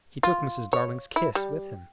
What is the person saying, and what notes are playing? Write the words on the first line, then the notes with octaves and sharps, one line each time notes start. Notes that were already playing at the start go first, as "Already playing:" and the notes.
He took Mrs. Darling's kiss with him.
F4
C#5
E4
G3